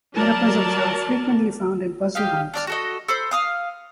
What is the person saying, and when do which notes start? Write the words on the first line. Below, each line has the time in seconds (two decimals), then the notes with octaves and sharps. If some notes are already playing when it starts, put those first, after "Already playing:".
Metapuzzles are frequently found in puzzlehunts.
0.16 F#3 A#4 D5 A5
2.15 G4 D#5 F5
2.54 D4 D5 F6
2.67 F#4 A4 D#5
3.08 A4 C5 B5
3.31 F5 D#6 F6